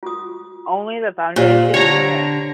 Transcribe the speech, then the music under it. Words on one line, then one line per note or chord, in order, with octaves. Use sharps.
Only the foundations remained.
F4 F#4 D#6
A#2 G4 C5 D5
D3 E4 G4 C#5 G5 A#5